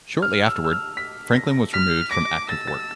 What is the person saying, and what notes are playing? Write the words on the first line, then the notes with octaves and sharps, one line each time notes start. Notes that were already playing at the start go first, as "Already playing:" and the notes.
Shortly afterward, Franklin was removed from active work.
F6
E6
E6
F6
B6
A#6
F6 B6
D6 A#6
E6 A6
A6